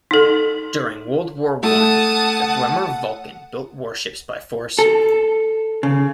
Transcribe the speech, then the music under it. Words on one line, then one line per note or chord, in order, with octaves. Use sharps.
During World War One the Bremer Vulkan built warships by force.
D#4 A4
A3 F#5 A5 D#6
A4
C#3